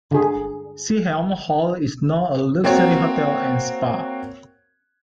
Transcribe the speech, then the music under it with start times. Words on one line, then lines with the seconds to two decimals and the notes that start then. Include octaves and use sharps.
Seaham Hall is now a luxury hotel and spa.
0.11 D3 G#4
2.64 A#3 C4 F#4 C#5